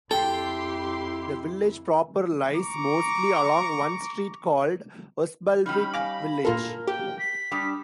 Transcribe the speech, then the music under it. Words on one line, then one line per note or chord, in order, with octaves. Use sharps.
The village proper lies mostly along one street called Osbaldwick Village.
F2 E4 G4 A4 G5 C6
A#5 C#6 D6
G3 C#4 D#4 B5 F6
F5 G#5 D6 F6 A#6
A#2 A#3 F4 A4 A#4
G4 G5
B6
G3 D4 D6 D#6